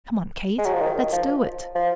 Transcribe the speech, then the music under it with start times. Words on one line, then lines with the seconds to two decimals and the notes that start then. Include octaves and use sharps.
Come on, Kate, let's do it!
0.58 G#3
0.66 F#3
0.73 F3
0.81 D#3
1.12 F3
1.75 F3